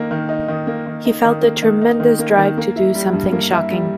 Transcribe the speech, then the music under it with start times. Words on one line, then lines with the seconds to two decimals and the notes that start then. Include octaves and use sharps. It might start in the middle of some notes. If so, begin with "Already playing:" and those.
He felt a tremendous drive to do something shocking.
Already playing: D#3 A#3 D#4
0.11 D#3
0.29 D#4
0.48 D#3
0.67 A#3
0.86 D#3
1.05 D#4
1.24 D#3
1.43 A#3
1.63 D#3
1.81 D#4
2.00 D#3
2.19 A#3
2.38 D#3
2.57 A#3
2.76 E4
2.95 G3
3.13 G2
3.32 A#3
3.52 E4
3.71 G3